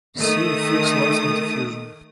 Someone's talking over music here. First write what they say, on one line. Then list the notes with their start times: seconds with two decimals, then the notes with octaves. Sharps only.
See Fick's laws of diffusion.
0.16 D#3 A3 D#6